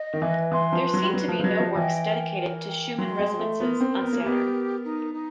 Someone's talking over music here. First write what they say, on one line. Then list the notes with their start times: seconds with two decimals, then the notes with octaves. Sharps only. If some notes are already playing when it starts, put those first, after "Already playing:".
There seem to be no works dedicated to Schumann resonances on Saturn.
Already playing: D#5
0.13 D#3
0.22 E3 B4
0.52 E3 C6
0.73 F3
0.83 B4
0.94 F#3
1.03 G3
1.13 F#3 B4
1.28 F3
1.40 F3
1.44 F#3 D#5
1.60 F3
1.75 E3 G5
2.06 A#4
2.36 A#4
2.68 G5
2.98 F#3 C6
3.19 G#3
3.29 C6
3.39 A3
3.59 B3 A#4
3.81 C4
3.90 A#4
4.02 B3
4.13 A#3
4.21 B3 G4
4.52 A#4
4.84 D#4
5.13 D#4